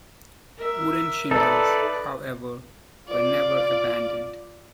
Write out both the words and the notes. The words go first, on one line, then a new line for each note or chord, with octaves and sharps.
Wooden shingles, however, were never abandoned.
A#4 E5
D#4 A4 B4 D5 E5
F4 D5